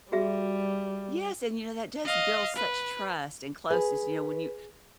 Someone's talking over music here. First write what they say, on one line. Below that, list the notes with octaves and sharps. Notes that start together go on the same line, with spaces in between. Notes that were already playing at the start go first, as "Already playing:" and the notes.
Yes, and, you know, that does build such trust and closeness, you know, when you
G3 F#4 G#4 E5
D#5 F5
B4
G#4 B4